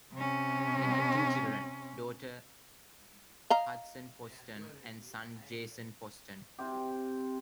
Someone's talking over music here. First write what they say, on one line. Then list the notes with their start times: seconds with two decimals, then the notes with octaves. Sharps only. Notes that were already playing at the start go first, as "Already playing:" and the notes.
They had two children, daughter Hudson Poston and son Jason Poston.
0.13 C3 C#4
3.50 D#5 F5 A#5
6.58 C3 C4 G4